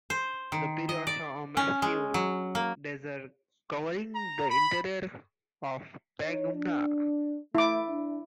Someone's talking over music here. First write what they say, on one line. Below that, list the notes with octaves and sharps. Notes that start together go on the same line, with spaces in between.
The period saw a massive desert covering the interior of Pangaea.
C5
D#3
D#5
D5
C#4
G#3
F#3
A#3
A#5
B5
D#4 C#5
D4
A3 E4 D6
D4